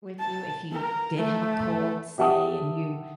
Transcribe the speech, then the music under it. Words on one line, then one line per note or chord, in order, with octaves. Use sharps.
with you if you did have a cold, say, and you
A5
A#4
A3
G4 E5 F#5 A5 D#6